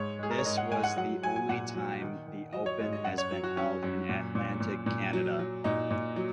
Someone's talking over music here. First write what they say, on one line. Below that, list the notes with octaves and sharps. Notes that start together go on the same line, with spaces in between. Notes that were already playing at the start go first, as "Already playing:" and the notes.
This was the only time the Open has been held in Atlantic Canada.
Already playing: G#2 C#5
G#3 G#4
A#4
C#5
G#2 D#5
F#5
G#3 G#5
F#5
F#3 F#5
F#3 G#5
G#5
A#2 F#5
F#3
D#3
D#3
F#3 D#5
C#5
G#2 D#5
D#5
F#2 F#5
C#5
F#3
F#4
F#3 C#4
F#2
A#2
A#2
A#2
A#2
F#3
F#3
A#2 D#4
A#2
F#3